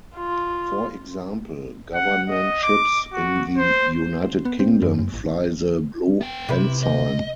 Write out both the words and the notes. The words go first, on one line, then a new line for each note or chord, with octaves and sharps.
For example, government ships in the United Kingdom fly the Blue Ensign.
F4
F#5
D#5
D6
F#4
C5
B3
C4
F#2
F#2
A1
B3 G5
C3 E4 B4
D#5